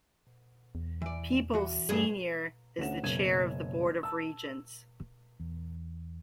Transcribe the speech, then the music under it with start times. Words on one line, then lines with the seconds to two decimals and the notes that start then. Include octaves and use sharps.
Peeples, Senior is the chair of the Board of Regents.
0.75 E2
1.02 E3 D5
1.54 E3 F#4
1.89 G2 G3 G#4
2.78 D2 A3 C#4 F#5 E7
3.03 F#1 B2 C#4 G#6 D#7 E7
4.03 A5 E6
5.40 E2